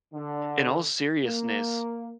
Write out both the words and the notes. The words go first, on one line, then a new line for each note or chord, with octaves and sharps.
in all seriousness,
D3
A#3